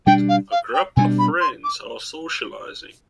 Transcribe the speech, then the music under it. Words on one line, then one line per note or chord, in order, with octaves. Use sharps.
A group of friends are socializing.
B2 G3 D4 G5
F5
F5
G5
B2 G3 D4 G#5
B5
C6
D6